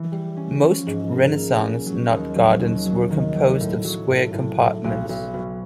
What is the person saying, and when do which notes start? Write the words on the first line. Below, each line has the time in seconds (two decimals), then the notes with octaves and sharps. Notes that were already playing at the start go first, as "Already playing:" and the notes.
Most Renaissance knot gardens were composed of square compartments.
Already playing: E3
0.12 G3
0.37 C#4
0.62 F3
0.87 G#2
1.11 A#3
1.36 A#3
1.61 C#4
1.86 F#3
2.11 D#2
2.36 F#3
2.60 D#2
2.85 F#3
3.10 D#3
3.35 F#3
3.60 A2
3.84 F#3
4.10 A2
4.34 A2
4.59 A2
4.84 B1
5.09 B1
5.34 B2